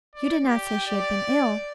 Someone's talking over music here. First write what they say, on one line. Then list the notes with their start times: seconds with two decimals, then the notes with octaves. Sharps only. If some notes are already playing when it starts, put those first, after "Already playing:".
'You did not say she had been ill?'
0.15 D5
0.45 G4
0.86 D5